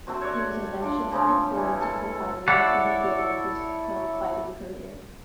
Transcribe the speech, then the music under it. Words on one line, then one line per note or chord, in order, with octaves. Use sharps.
He was eventually deployed to Hawaii where he began his pro fighting career.
A3 C4 F#4 C5
C#5 D5
D4 F4 D5
C#3 F3 C4 C#4
E3 A4
A4
E4 A4 C#5 D5 F#5